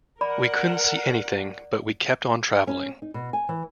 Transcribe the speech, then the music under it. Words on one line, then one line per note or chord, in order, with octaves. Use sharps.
We couldn't see anything but we kept on travelling.
A#4 D5 F#5 B5
C#4
D#4
B2
G#5
E3